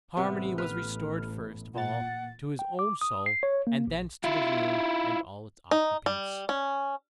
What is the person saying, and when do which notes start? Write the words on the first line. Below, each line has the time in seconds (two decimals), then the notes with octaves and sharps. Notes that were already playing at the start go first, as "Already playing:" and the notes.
Harmony was restored first of all to his own soul, and thence to the room and all its occupants.
0.17 A1 C3 B3 C4
0.58 B4 F6
1.75 A#2 F#5 A6
2.59 G5
2.79 D6
3.01 D#6
3.26 C7
3.43 C#5
3.67 A#3
3.87 A#1
4.24 E4 F4
5.71 D#4
6.06 G3
6.49 C#4